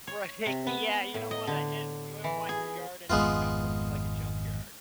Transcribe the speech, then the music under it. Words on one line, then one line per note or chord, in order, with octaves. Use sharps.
Right, yeah, you don't wanna end you don't want your yard ending up looking like a junkyard.
C#5
C3
B3
A2
D#5
D3
E3
G#4
G#1 F2 G#3 B3 F4